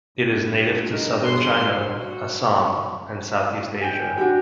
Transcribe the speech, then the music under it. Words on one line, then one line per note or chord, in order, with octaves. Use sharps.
It is native to southern China, Assam, and Southeast Asia.
G2
D#4 A#4
G#4 C6
D#3 F3
D4 F#4
G5 G#5
D4 F#4 G4